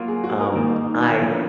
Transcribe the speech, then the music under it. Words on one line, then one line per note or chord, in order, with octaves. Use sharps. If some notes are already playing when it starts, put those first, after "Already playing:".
Um, I
Already playing: F#3 A#3 F4
G#4
F#4
A#4
D#3 A#3 D#4
D3 F3 B3 A#4